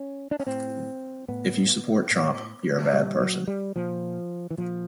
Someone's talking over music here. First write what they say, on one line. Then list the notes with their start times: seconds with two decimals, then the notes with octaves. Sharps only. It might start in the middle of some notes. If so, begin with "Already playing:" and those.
If you support Trump, you're a bad person.
Already playing: C#4
0.31 D4
0.40 C#4
0.47 A2 C4
1.28 A2 B3
2.11 A2
2.93 A#2 G3
3.20 F#3
3.48 G3
3.76 A#2 F3
4.51 E3
4.57 A#2 F3